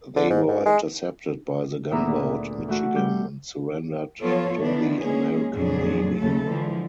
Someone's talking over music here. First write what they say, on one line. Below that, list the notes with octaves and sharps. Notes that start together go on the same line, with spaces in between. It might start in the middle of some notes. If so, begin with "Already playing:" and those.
They were intercepted by the gunboat "Michigan" and surrendered to the American navy.
D3
G#2
G#2
G#3
D2 A#2 B3 G#4 E5 A#5
E3 A3 F#4
G3 G6
F3 F#3 B3 F4 A4 C#5
D#3 E3 B3 D4
G#3 A#3 C#4 G#4
F2 A#2 F#3 D4 G#4
D#2 C#3 F#3 A3 A4
D3 E3 F3 G#3